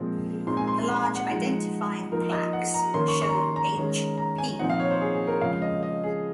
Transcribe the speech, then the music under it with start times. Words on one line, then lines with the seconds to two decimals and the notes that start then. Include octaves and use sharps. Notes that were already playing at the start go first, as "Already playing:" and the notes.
The large identifying plaques show "H P".
Already playing: A#2 F3 G#3 C4
0.47 A#2 G#3 C4 D#4 C6
0.57 G#5
0.68 C6
0.78 C6
0.88 C6
1.01 G#5
1.16 F#5
1.29 F3 G#3 D#4
2.12 F3 A#3 D#4 A#4
2.32 D#5
2.53 F#5
2.74 A#5
2.94 D#3 A#3 C#4 C6
3.08 C#6
3.22 C#6
3.30 A#5
3.35 C6
3.56 A#5
3.77 D#3 G#3 C#4
4.18 A#5
4.38 G#5
4.59 A#2 F3 C4 D#4 F#5
4.70 F5
4.80 C#5
4.90 C5
5.01 G#4
5.14 G#4
5.27 A#4
5.41 C#3 F3 G#3 F5
5.62 D#5
5.83 D#5
6.04 G#4